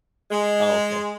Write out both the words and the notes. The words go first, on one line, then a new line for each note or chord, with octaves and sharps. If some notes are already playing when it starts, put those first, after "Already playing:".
Oh, okay.
G#3